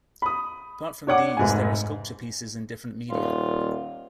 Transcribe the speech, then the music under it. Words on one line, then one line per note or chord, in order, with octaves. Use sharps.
Apart from these there are sculpture pieces in different media.
B5 D#6
D4 C#5 F#5 D6
F1 G#2 G#5
D#1 F4